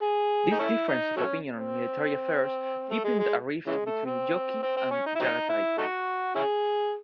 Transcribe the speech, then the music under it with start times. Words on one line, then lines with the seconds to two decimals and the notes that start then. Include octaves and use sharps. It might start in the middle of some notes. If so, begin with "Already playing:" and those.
This difference of opinion on military affairs deepened a rift between Jochi and Chagatai.
0.02 G#4
0.51 D#4
0.59 A3 C#4 E4
0.88 D#4
1.17 F#3 A3 C#4
1.55 C4
2.90 A3
3.04 G#3
3.19 G#3
3.67 C#3 E3 G#3
3.86 A3
4.05 C4
4.62 C4
4.77 C4
4.91 C#4
5.06 D#4
5.15 E4
5.20 F#3 C4 D#4
5.49 E4
5.78 A3 D#4 F#4
6.35 C#4 E4 G#4